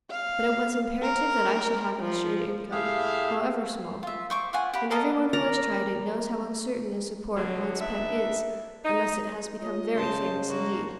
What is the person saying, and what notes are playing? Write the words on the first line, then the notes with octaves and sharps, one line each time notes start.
But it was imperative that I should have an assured income, however small; and every one who has tried it knows how uncertain a support one's pen is, unless it has become very famous indeed.
F5
A#4
F3
A2 G4 G#4 E5 F5
F4 E5
C5 C#6 D6
F4 F#5 G#5
G4 F#5 B5
A4 A#4 D#5 A5
A#4 D5 A#5
D3 F#3
D4 D#4 B4 E5
D#4
F4 C#5 D#5
C#3 C5 A5 C6
F#1 A#3 F#4